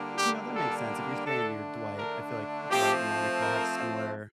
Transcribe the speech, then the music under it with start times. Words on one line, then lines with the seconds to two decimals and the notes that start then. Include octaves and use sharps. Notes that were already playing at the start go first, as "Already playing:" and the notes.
You know, that makes sense. If you're saying you're Dwight, I feel like Dwight and Monica have similar
Already playing: D3 G3 A#3 D4
0.18 G4
0.54 A4
1.26 D3 A3 D4 A4
1.98 A#4
2.70 F3 A3 C4 G4
3.42 A#4